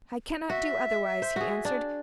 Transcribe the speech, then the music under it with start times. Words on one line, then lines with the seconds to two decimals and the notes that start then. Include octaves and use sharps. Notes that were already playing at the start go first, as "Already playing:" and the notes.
"I cannot do otherwise," he answered.
0.50 F#4 E5
1.22 C5
1.36 F#4 G#4
1.65 D4